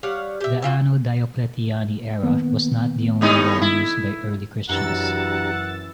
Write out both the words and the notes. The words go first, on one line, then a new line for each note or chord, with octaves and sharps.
The anno Diocletiani era was not the only one used by early Christians.
G3 C#5 F5 F#5
G4 E5
C4 F4 F#4
D#3 A#3 B3
A2 G3 D#4
E4
F#2 E3 D4 G4 F#5 A#5 E6 A6